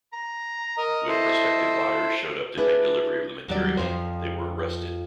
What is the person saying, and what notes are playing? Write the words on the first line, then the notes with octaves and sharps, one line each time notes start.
When prospective buyers showed up to take delivery of the material, they were arrested.
A#5
A#4 D#5
E4 A4 C5 D#5
D4 E4 G#4 B4
D#2 F#3 G3 D5
F2 F3 C5